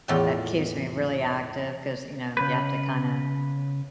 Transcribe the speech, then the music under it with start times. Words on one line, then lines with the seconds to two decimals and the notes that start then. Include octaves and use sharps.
it keeps me really active, 'cause, you know, you have to kinda,
0.08 E2 A2 F4 D5 G5
2.37 C#3 B4